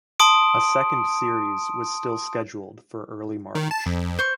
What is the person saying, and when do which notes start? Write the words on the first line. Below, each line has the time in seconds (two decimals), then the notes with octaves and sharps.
A second series was still scheduled for early March.
0.20 A5 C6 D#6 D7
3.55 D#3
3.71 A5
3.86 F2
4.19 C5 C#6